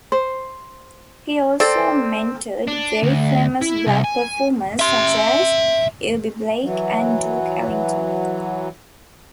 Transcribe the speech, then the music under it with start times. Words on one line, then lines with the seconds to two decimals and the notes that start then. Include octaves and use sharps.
He also mentored very famous black performers such as Eubie Blake and Duke Ellington.
0.12 C5
1.60 C4 A4 D5
2.68 D4
3.03 D2
3.61 E4
3.87 C2
4.04 G#5
4.79 E5 C6
6.62 E3 F#3